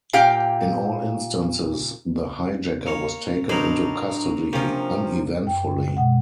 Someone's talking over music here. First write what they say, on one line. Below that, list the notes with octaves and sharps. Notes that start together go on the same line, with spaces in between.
In all instances, the hijacker was taken into custody uneventfully.
A#2 G4 F5 G5
A#3 C#5
A2 F#3 D4 D#4 A#4 C5 A#5
C3 F3 A#3 C#4
F#2 G5
B2 G#3 F#5